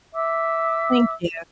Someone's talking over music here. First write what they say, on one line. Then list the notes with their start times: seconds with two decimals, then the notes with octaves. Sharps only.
Thank you.
0.14 E5 D6 E6